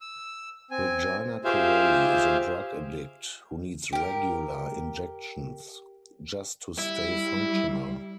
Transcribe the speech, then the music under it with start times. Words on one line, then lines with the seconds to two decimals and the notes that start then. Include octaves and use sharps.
Regina Corelli is a drug addict who needs regular injections just to stay functional.
0.01 E6
0.71 C4 G#5
1.44 F4 G4 G#4 C5 E5 F5
3.93 G4 A#4
6.78 G3 E4